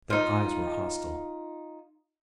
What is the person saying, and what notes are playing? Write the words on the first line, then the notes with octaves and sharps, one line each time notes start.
Their eyes were hostile.
D#4 F4